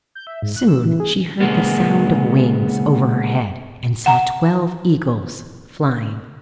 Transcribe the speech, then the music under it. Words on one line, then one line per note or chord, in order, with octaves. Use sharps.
Soon she heard the sound of wings over her head, and saw twelve eagles flying.
G6
E5
G#2
F#6
E6
E3
G#4
A#2 C#3 G#3 A#3 B3
F#5 A#5